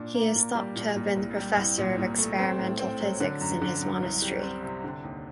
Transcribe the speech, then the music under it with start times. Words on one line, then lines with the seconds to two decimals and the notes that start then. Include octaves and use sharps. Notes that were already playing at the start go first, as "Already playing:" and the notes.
He is thought to have been the professor of experimental physics in his monastery.
Already playing: A#2 D4
0.14 A#3
0.35 A#2
0.55 G3
0.76 A#2
0.96 A#2
1.16 C2
1.37 G3
1.57 C2
1.78 A#2
1.98 A#2
2.18 A3
2.39 C4
2.59 A2
2.79 C4
3.00 F#3
3.20 D3
3.41 F#2
3.62 D3
3.81 F#2
4.02 C2
4.22 G3
4.43 C4
4.63 C3
4.84 D3
5.04 D#2